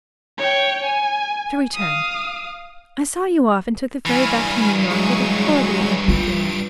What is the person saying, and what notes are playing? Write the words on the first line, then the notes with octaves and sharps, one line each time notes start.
To return: I saw you off, and took the ferry back to New York with a horribly empty feeling.
C#5 G5
G#5
F5 D#6
G2 E3 G#5 B5 F6
F#3 G#3 C#6
F4 D7